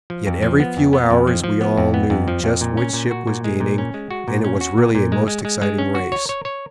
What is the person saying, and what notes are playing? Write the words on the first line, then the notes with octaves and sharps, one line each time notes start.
Yet every few hours we all knew just which ship was gaining and it was really a most exciting race.
F3
F2
F3
B3
F2
B3
F2
F3
F3
B3
F2
B3
F2
F3
F2
A#2
C#4
A#2
F#4
A#2
G#3
A#2
C#4
G#3
F#4
A#2
C#4
F#4
A#2
A#2
G#3
G#3
G#3
G#3
C#4
F#4
C#5
C#5
C#5